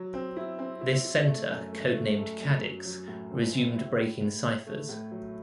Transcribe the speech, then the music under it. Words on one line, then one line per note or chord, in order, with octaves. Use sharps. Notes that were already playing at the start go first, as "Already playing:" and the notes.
This center, codenamed "Cadix", resumed breaking ciphers.
Already playing: F#3
C4
E4
C4
E4
E4
A3
F#2
A3
A3
A3
F#2
F#3
F#3
A2
C4
C4
E4
A2
A2
A2
A3
A2
F#3